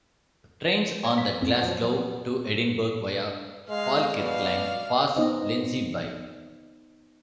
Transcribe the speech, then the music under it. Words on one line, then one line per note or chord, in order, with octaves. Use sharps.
Trains on the Glasgow to Edinburgh via Falkirk Line pass Lenzie by.
C#5 A#5
B6
F2
F3 F#3
B3
G#3 F5
B2 D5 F5
B3 D#4 C5 D#5